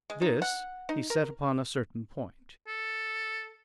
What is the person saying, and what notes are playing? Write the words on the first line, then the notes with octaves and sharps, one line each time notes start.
This he set upon a certain point.
G#3
D#4
F#5
D#4
A#4
A4